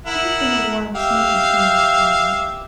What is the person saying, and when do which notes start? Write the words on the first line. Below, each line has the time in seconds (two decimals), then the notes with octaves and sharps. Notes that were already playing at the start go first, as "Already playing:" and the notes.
It had been a warm, smoky summer afternoon.
0.06 E4 A#4 F#5
0.95 G4 E5 F5